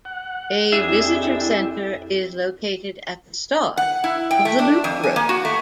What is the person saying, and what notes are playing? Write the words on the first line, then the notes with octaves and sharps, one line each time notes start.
A visitor center is located at the start of the loop road.
F#5
F2 D4 E4 G4 G#4 E5
F#5
E4
G5
A3
D4
F2
G#5
A#3
F#4
A3